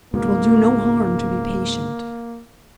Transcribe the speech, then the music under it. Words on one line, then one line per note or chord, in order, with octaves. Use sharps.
It will do no harm to be patient.
C#2 G#2 B2 A#3